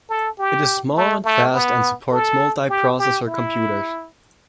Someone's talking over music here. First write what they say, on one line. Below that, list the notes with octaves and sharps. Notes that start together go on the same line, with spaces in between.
It is small and fast and supports multiprocessor computers.
A4
G4
A3
A3
B3
A4
G4
G4
E4